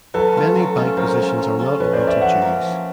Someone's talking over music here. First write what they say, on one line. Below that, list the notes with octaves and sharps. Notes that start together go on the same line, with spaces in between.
Many bank positions are not open to Jews.
F#3 A4 B4
A3 C#4 F4
F#3
A3 C#4 F4
F#3 A#4 C5
A3 C#4 F4
F#3
A3 C#4 F4
F3 B4 C#5
C5 D5
A#3 C#4
D5 E5
F3 E5 F#5
A#3 C#4
F3